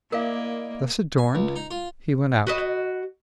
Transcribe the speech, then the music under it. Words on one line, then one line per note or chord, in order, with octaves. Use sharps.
Thus adorned, he went out.
A#3 E4 A#4 D5 D#5 F5
G#5
C#2
D#4
F4
F#4 B4 D#5